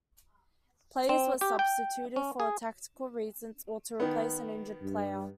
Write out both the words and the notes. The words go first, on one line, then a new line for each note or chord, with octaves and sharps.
Players were substituted for tactical reasons or to replace an injured player.
C4
G4
G5
C#4
G#4
D#3 B3
G2